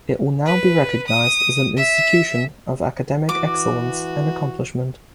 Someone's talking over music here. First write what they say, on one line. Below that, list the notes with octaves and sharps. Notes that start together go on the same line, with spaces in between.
It will now be recognized as an institution of academic excellence and accomplishment.
B4
D#6
E5
E3 F#4 D6